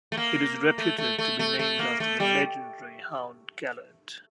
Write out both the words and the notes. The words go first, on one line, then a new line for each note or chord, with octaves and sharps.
It is reputed to be named after the legendary hound Gelert.
A3
A#3
A3
A3
A3
A3
A3
A#3
A3
G3